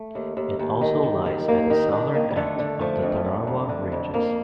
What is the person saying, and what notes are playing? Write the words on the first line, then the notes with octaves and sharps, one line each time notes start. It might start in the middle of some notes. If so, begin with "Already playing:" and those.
It also lies at the southern end of the Tararua Ranges.
Already playing: A3
D#2
D#2
D#2
D#3
D#2
D#3
D#2 A#3
D#3 D#4
D#3 D4
D#3 A#3
G3
D3 A3
D3
F3 A3
F2
D3
F2
D3
F2
F2 A#3